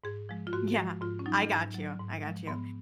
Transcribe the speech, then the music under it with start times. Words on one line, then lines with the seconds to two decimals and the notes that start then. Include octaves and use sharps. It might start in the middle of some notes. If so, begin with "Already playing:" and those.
Yeah. I got you. I got you.
0.04 G#2 G#4
0.29 F3 G#3
0.47 F4
0.52 G#2 F#4
0.77 F3 G#3
1.01 G#2 F4
1.19 C#4
1.26 F#3 D#4
1.51 G#2
1.74 F#3
1.99 G#2
2.24 F3 G#3
2.48 G#2 B3